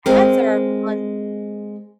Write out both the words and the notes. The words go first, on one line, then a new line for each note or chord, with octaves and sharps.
ads are on
G#3 C4 A#4